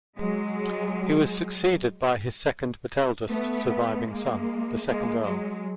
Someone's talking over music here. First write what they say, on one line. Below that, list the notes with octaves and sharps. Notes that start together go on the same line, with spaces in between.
He was succeeded by his second but eldest surviving son, the second Earl.
F#3 G#3
A3 B3
G#3 A#3
G#3 A#3
F#3 G#3